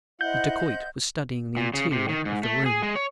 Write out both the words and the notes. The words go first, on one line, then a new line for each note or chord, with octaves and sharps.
The dacoit was studying the interior of the room.
E4 C5 D#5 E5 F#5 G6
A#2
C#3
C3
D#3
G#2
A3
G#4
G#3
C#5